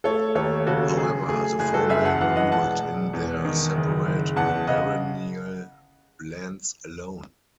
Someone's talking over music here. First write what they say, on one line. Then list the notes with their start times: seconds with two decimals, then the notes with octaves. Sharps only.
However, the four men ruled in their separate baronial lands alone.
0.04 A3 A4 C#5
0.35 D#2 A4 C#5
0.67 C#3 F#4 A4
0.97 F#3 G#4
1.28 A3 G#4
1.44 G#4
1.59 F#1 G#4
1.74 F#4 A4
1.89 F#2 E5 G#5
2.05 F#5 A5
2.20 E3 F#5 A5
2.36 D#5 F#5
2.52 E1 F#5 A5
2.82 E1
3.13 E2
3.45 D#3
3.75 F#1
4.05 F#1
4.36 E2 F#5 A5
4.67 C#3 D#5 F#5